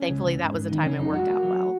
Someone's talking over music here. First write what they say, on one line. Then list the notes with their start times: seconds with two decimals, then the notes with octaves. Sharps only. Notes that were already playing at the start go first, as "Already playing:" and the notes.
thankfully, that was the time it worked out well.
Already playing: C#4
0.09 C#2
0.23 C#2
0.38 G#2
0.53 G#2
0.69 D#3
0.83 C#3 C#4
0.98 F#2 D#4
1.13 G#3 F#4
1.27 A#3
1.43 F#3